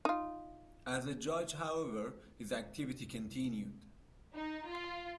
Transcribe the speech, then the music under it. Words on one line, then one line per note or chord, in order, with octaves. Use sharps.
As a judge, however, his activity continued.
D#4 F4
D#4
F4